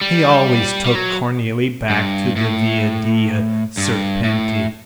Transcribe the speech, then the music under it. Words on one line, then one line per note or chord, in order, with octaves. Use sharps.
He always took Cornelie back to the Via dei Serpenti.
G3
G3
F#3
G2
A2
G2
A2